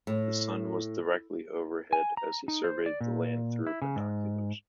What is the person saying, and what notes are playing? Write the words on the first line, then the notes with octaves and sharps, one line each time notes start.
The sun was directly overhead as he surveyed the land through binoculars.
A2
G#5
A#5
D#4
C5
D5
A#2
E4
C#3
G#2